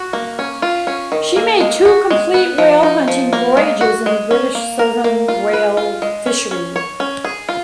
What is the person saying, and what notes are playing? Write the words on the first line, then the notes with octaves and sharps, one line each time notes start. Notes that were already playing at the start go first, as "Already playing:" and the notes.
She made two complete whale hunting voyages in the British Southern Whale Fishery.
Already playing: F#4
A#3
C#4
F4
C#4
D#3
A#3
G#3
F#4
G#3
B3
F3
D#4
F3
A#3
G#3
F#4
G#3
C#4
A#3
A#4
A#3
F4
B4
F4
G#3
C#4
C#4
C#5
C#4
G#4
F4